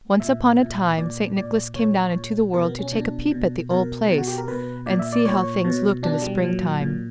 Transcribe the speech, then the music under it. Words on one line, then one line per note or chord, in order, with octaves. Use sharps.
Once upon a time St. Nicholas came down into the world to take a peep at the old place and see how things looked in the spring-time.
A#2 E5
A#2
A#2 D5
A#2 D5
A#2 C#5
A#2
B2 A#4
B3
C#4
B2 D4
B2
B2 A#4
B2
F#4
G4
A#4
B2 B4
A#2 D5
E5
D5
A#2 C#5
B2
B2 D4
G3
A#2 F#3
A#2